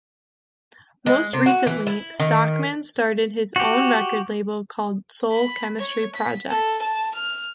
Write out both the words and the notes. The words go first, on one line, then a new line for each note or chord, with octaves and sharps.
Most recently, Stockman started his own record label called Soul Chemistry Projects.
G#3
C3
F#4
E3
E4
D#3
F#4 G4
B5
C#5
B6
A4
A5
F6